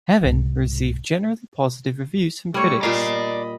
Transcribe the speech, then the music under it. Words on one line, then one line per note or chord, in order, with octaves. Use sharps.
"Heaven" received generally positive reviews from critics.
C2 G#2
G3 A3 C#5 C#6
A#2 D5 D#5 F5 A#5 B5